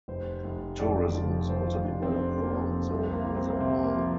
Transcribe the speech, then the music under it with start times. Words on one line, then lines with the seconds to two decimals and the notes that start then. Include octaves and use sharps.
Tourism is also developed around the Reservoir.
0.08 F1 C5
0.44 F1
0.79 F2 D5
1.15 F3
1.49 F1 C5
1.66 F4
1.84 F1 D4
2.02 C4
2.19 F2 D4
2.38 A#3
2.54 F3 C4
2.73 C4
2.90 C2 C4
3.13 A#3
3.25 C2
3.36 C4
3.50 A#3
3.61 C3 C4
3.83 A#3
3.95 F3